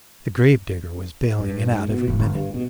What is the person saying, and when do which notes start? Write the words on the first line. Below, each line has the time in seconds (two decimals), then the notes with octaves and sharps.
The gravedigger was baling it out every minute.
1.40 G2
1.72 G#2
1.90 B2
2.08 E1
2.20 G1
2.35 G2
2.54 B2